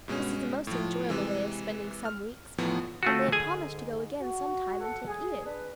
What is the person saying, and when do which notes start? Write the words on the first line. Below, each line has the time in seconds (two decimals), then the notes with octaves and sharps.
This is a most enjoyable way of spending some weeks, and they had promised to go again some time and take Edith.
0.08 G2 B2 G#3 C#4
0.67 A2 F3
1.09 C3 E3 G#3
2.05 F6
2.58 E2 A2 F3 B3
3.03 G#2 D3 A3 F4 F#4
3.32 G#4 G#5
4.21 F#4
4.80 A4 F#5
5.07 G#4
5.45 D4 B4